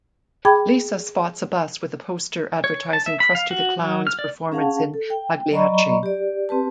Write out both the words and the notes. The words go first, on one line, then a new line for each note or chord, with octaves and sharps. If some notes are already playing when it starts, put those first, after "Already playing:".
Lisa spots a bus with a poster advertising Krusty the Clown's performance in "Pagliacci".
G#4 G5 B5 D6 G#6
C#5
A5
E5
B5
F5
F#4
F#3
F6
D5
C#4 G#4 F5 F#5 A5
A4
G5
F#3 D5 D#5 A#5 B5 C#6
G4 D5
C4 G4 B4 A5